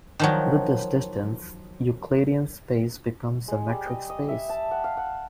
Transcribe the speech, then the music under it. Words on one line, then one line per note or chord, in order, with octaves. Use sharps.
With this distance, Euclidean space becomes a metric space.
D#3 F3 F#3
G#3
G3
D#5
D#5
E5
A5
F#5
F5
F#5